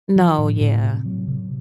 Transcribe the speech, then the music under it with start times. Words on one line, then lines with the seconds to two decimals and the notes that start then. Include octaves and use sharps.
No, yeah.
0.16 F3
0.38 A2
0.61 A2
0.83 C3
1.06 F#3
1.28 C3